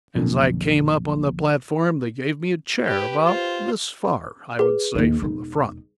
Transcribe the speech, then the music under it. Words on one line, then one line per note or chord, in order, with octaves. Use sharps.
As I came up on the platform they gave me a chair about this far, I would say, from the front.
B1 F2 A#2 D3
G4 B4
F4 C5
G#4 B4
D#2 D#4
E1 D#4